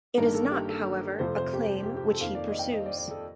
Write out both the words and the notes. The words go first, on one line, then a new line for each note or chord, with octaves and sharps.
It is not, however, a claim which he pursues.
G1 G2 D#3 A#3 A#4
A4
G4
A4
F2 C3 F3 A3 C5
C5
G4
G4
G4
A4
F2 D#3 A#3 F5
D5
D#5
G5
D#5
D5
D5
A4